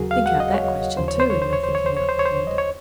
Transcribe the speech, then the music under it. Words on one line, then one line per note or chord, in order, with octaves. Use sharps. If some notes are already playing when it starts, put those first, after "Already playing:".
"Think out that question, too, in your thinking out, Clorinda."
Already playing: D#2 C#3 F#3 F#4 G#4 A#4
F5
F#5
D#5
C#5
D#2 C#3 F3 C5
C#5
C5
C#5
C5
C#5
C5
C#5
C5
C#5
C5
C#5
C5
D#5
C#5